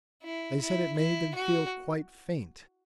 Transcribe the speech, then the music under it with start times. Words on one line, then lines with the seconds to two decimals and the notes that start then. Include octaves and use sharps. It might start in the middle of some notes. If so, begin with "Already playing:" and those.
They said it made them feel quite faint.
0.23 E4
0.61 E4
0.97 E4
1.35 F#4